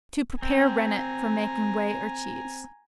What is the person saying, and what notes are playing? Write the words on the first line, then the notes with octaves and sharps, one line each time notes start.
To Prepare Rennet for making Whey or Cheese.
C4 G#5 A#5